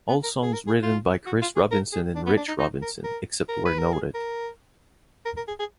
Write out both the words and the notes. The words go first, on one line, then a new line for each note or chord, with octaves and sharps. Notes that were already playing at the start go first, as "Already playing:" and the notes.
All songs written by Chris Robinson and Rich Robinson, except where noted.
B3
A#4
G#4
A#4
G#4
F4
F#4
F4
G#4
A#4
G#4
D4
B3
D4
D#4
D#4
A#4
A#4
A#4
B4
A#4
G#4
A#4
A#4
A#4
G#4
G#4